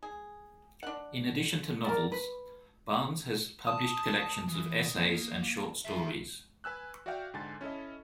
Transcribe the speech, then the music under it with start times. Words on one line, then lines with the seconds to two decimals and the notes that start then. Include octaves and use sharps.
In addition to novels, Barnes has published collections of essays and short stories.
0.03 G#4
0.83 D4 F#5
1.84 A#4 D5
2.12 B4
3.67 A5 D#6
4.48 E3
4.94 A#3
5.85 G#4 E5
6.64 B4 G#5 E6 F#6
7.06 F#4 D5 E5 F5 G5
7.34 G#2 D3 G#5 A6
7.61 C#4 E4 A4 D#5